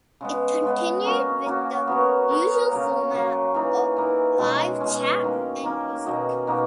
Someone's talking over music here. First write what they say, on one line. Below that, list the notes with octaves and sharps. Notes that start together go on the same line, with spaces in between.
It continued with the usual format of live chat and music.
C#3 G#3 B3
C#3 G#3 B3
A#3 C#4 F#4
A#3 C#4 F#4
B3 F#4 A#4 C#5
B3 F#4 A#4 C#5
C#3 F#3 A#3
C#3 F#3 A#3
E3 A#3 D#4
E3 A#3 D#4
B2 G#3 C#4
B2 G#3 C#4
D#3 A#3 C#4
D#3 A#3 C#4
B2 A#3 D#4 F#4
B2 A#3 D#4 F#4